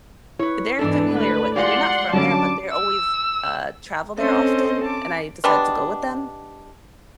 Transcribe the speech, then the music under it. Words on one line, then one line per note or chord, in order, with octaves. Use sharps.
They're familiar with it they're not from there, but they're always uh, travel there often, and I decided to go with them.
E4 B4 C#5
E2 G#2 E3 D4 A4
D2 B4
G#3 F4 G4 D5 F#5 C6
G2 D3 F#3 G3 C#4 A5 D6
E6
C4 C#4 A4 C5 D#5
A5 D6
G3 G#3 B3 D4